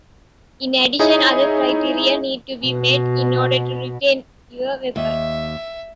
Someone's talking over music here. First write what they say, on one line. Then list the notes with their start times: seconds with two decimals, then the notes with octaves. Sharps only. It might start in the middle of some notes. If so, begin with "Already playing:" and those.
In addition, other criteria need to be met in order to retain your weapon.
0.99 D#4 E4 G#4 C#5 D#5
2.65 B2
4.96 D#2 E5